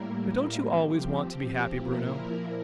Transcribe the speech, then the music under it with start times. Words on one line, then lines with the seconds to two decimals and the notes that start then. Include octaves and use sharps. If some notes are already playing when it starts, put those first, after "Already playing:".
"But don't you always want to be happy, Bruno?"
Already playing: A2 G3 A#3 E4 A#4
0.61 F3 C4 G4
1.76 A#2 F3 A#3 E4 A#4